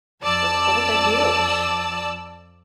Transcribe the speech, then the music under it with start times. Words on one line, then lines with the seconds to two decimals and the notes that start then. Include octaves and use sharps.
Those goals are huge.
0.23 F2 D5 A5 E6